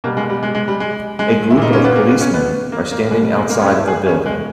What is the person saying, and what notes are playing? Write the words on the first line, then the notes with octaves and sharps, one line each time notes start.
A group of policemen are standing outside of a building.
B2 G3 A#3
G#3
G3
G#3
G#3
G3
G#3
G#3
E4
A#2 G3 D#4
C#4
B3
A#3
B3
C#4
B3
A#3
A#3
B2 G3 G#3
G3
G#3
A#3
C#4
E4
G#4
C#4
G#3